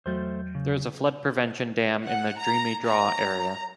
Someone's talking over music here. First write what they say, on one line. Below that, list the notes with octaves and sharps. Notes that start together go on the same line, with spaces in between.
There is a flood prevention dam in the "Dreamy Draw" area.
E2 F#3 A3 C5 G6
C#3
F#5
A#5
A#5